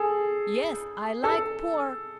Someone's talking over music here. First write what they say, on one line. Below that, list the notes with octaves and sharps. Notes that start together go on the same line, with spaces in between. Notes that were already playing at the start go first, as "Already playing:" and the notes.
Yes, I like Por ...
Already playing: G#4 A4
A4